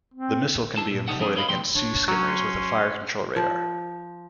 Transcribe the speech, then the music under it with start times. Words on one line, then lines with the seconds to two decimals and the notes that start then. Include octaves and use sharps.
The missile can be employed against Sea skimmers with a fire control radar.
0.14 C4
0.78 E4 A5
0.91 A#2
1.08 B1 C3 G3 D#4 A4 F#5
1.20 F3 G3 C4 D4 G#4
1.35 A#4 C#5 D#5 F5 B5
1.49 D2 B2 D3 F3 G5 C6
1.75 D4 C#5
2.08 F#3 C#4
2.28 C6
3.36 F3